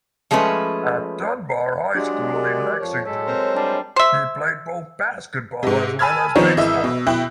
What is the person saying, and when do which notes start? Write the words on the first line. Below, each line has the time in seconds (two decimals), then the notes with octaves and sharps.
At Dunbar High School in Lexington, he played both basketball as well as baseball.
0.31 F3 G#3 A3 C#4 B4
1.95 F#3 G#3 D4 G4 D5
2.34 G4 A#4
2.79 F2 F3 C#5
3.05 F#3 G#3 A4 C#5 B6
3.26 C4 A#4 C5
3.55 G3 D4 A5 C7
3.96 C5 E5
5.63 G#2 C3
5.99 G#5 A5 B5 E6 F6 G#6
6.35 D#3 F3 B3 C4 D#4 C#5
6.57 G#1 E3 D#5 E5 E6
6.84 B2
7.07 B2 E4 E5 G5 F#6